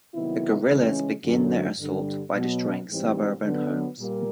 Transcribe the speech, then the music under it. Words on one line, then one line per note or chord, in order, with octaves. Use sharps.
The guerrillas begin their assault by destroying suburban homes.
C3 D#3 F#3 B3 E4
C#3 E3 G#3 C#4
F#2 D3 F#3
G2 D3 G3
B2 F#3 B3
G#2 E3 G3 C4
D3 F#3 B3
A#2 G3 A#3